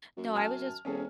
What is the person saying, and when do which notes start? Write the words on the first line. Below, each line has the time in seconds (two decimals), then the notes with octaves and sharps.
No, I was just
0.17 F#2
0.36 G#5 A5 F6
0.85 E1 C#4 G#4 A4